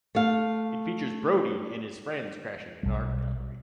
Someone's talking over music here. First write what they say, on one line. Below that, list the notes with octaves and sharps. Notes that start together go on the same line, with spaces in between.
It features Brody and his friends crashing an art gallery.
A3 F5
B1 G3